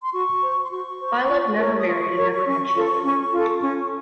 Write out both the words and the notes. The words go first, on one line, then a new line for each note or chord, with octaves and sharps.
Bilac never married and never had children.
C6
F#4 C#6
C5
C6
F#4 C#6
C5
F4
A#4 C#5
D#6
F4 C#6
A#4 C#5
C#4
F4 A4
C#4
F4 A4
C#4